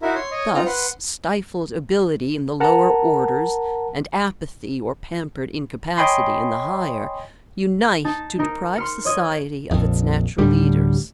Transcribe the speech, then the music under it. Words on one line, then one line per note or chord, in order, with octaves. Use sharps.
Thus stifled ability in the lower orders, and apathy or pampered incapacity in the higher, unite to deprive society of its natural leaders.
D#4 E4 F#4 A#4 E5
C#5 C6
C#5 D#5
C4 D#4 F4 A#5
B4 F#5 C6
A#4 F#5 A5 A#5
C#5 D#5 G5 G#5 B5 C6
D#4 A5
D#4 A#4
C6 F6 C#7
C#5 D#5 G#6
A#1 F2
D2 A2 D3 G3